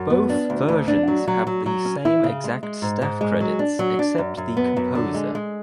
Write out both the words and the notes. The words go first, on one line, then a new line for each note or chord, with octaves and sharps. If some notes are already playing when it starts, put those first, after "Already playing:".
Both versions have the same exact staff credits except the composer.
Already playing: F#2
B3
D4
D2
D2
D4
F#3
F#3
F#3
F#3
C#4
E4
C#3
G#3
G#3
G#2
G#2
G#3
F#3
D4
F#3
D4
F#2
F#2
B3
F#2
D3
G#3
G#3